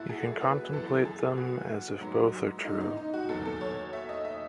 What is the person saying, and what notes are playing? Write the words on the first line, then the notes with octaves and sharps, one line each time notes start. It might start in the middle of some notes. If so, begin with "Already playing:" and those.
You can contemplate them as if both are true.
Already playing: F#2 E4 F#4 A4
G#4
B4
F#2 E3 B3 A4
G#4
F#4
G#2 F#3 B3
D#4
D#4
D#4
F#4
E2 D#3 F#3 B3 A4
A4
C#5
E5
D#5
E5